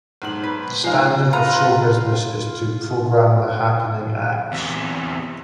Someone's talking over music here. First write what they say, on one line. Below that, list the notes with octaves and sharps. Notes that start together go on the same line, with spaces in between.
The standard of show business is to program the happening acts.
B1 G#2 F#7
B4
F3 G#3 D#4 F5
F4 B4 A#5
E2 C3